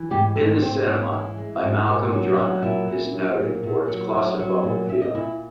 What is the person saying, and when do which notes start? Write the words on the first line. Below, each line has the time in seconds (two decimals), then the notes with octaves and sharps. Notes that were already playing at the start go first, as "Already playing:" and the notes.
"In the Cinema" by Malcolm Drummond is noted for its claustrophobic feeling.
Already playing: E3
0.10 G#2 G3 G4
0.36 G#2 A3 A4
0.62 G#2 C4 C5
0.86 G#2 C#4 C#5
1.12 E3
1.37 G#3
1.63 G#2
1.87 A#2
2.13 F#3
2.38 F#3
2.62 A#2 E4 E5
2.88 A#2
3.13 F#3
3.39 A#2
3.63 A#2
3.88 F#3
4.14 F#3
4.39 F#3
4.64 A#2
4.89 A#2 E5
5.02 D#5
5.15 A#2 E4 E5